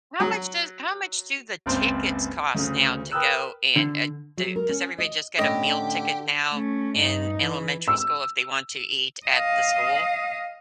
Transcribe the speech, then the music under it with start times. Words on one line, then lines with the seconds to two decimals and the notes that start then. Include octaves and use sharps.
How much does how much do the tickets cost now to go in, u h, do does everybody just get a meal ticket now in elementary school if they want to eat at the school,
0.20 F#3
1.66 F#1 C#2 C4 C5
2.54 D2 C#3
3.12 A#4 B4 G5 D#6 E6 F#6
3.76 D3
4.37 F#3
4.56 A#4
4.69 C#4
4.98 D#5
5.39 A2 D3 C#4 E4 G4 D#5
6.50 A3 C#4
6.98 G2 D#4
7.38 E3
7.88 E6
9.26 D#5 F5